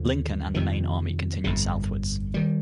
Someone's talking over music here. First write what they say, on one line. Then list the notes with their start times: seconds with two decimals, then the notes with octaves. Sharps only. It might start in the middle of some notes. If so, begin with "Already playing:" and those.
Lincoln and the main army continued southwards.
Already playing: D#2 D3 F3
0.54 F2 C3 D#3
1.44 G1 F2 C3
2.34 D#3 G3